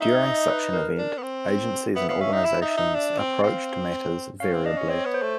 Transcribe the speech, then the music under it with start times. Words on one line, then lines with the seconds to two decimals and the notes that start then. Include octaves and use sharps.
During such an event, agencies and organizations approach matters variably.
0.01 D#4 E5
0.21 E5
0.26 D#5
0.50 B4
0.73 A#4
0.99 D4
1.18 B3
1.23 C4
1.96 B3 E5
2.09 B3 F5
2.21 C#4 E5
2.33 D#4 E5
2.45 E4 E5
2.62 D#4
2.70 E5
2.78 D#4
2.95 D4
3.19 C4
3.42 C4 F5
4.40 C#4 F5
4.53 C4
4.65 D4 D#5
4.77 C#4
4.89 C4 C#5
5.06 B3
5.14 C5
5.22 A3